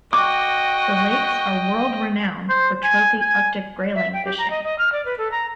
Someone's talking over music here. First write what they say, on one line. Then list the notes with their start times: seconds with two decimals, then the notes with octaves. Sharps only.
The lakes are world-renowned for trophy Arctic grayling fishing.
0.13 F#4 D#5 G5 D6
2.49 C5
2.84 G#5
3.20 G#5
3.95 E5
4.13 G5
4.25 G4
4.38 A#5
4.50 D#5
4.65 D#5
4.79 F6
4.92 D5
5.05 B4
5.18 A4
5.32 A#5